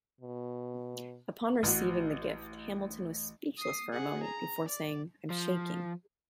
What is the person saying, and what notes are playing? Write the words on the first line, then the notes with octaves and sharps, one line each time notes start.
Upon receiving the gift, Hamilton was speechless for a moment, before saying I'm shaking.
B2
A1 F#4
D#6 C7
G#4 F#5
A#5
D5
F3